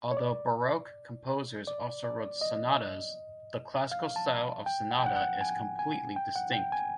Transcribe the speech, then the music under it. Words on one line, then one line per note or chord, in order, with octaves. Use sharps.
Although Baroque composers also wrote sonatas, the Classical style of sonata is completely distinct.
C#5
D5
D5
D5
D#5
F5
A5
G5
F#5
G5
F#5
F#5
G#5
G#5
G5
F#5
G5
G#5